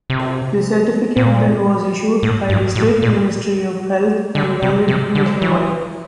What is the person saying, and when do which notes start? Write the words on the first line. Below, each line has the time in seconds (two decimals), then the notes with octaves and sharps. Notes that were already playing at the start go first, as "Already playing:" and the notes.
The certificate then was issued by the state Ministry of Health and valid nationwide.
0.10 C3
1.16 A#2
2.23 A2
2.49 G2
2.76 A2
3.02 A#2
4.35 D3
4.62 C3
4.88 C3
5.15 D3
5.42 E3